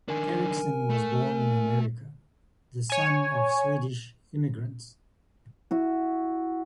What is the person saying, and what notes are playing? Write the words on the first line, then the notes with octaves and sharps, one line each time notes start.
Erickson was born in America, the son of Swedish immigrants.
D#3 D4 A#4 G#5
A3
C#5 G#5
E4 F#4